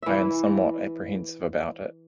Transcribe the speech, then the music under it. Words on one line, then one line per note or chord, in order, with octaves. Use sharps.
I am somewhat apprehensive about it.
E3 E5